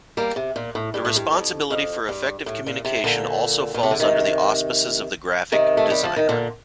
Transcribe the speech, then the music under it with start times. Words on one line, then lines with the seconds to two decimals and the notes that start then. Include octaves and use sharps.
The responsibility for effective communication also falls under the auspices of the graphic designer.
0.17 G3 A#3
0.36 C3
0.56 A#2
0.75 A2
0.94 G2
1.05 A2
1.16 G2
1.33 F2
1.70 F2
2.09 G2
2.46 A2
2.66 A#2
2.85 C3
3.04 A#2 D3
3.74 A#2
3.83 C3
3.91 D3
4.00 C3 D#3
5.52 C3 D#3
5.77 A3
5.90 G3
6.03 F3
6.16 D#3
6.29 A#2 D3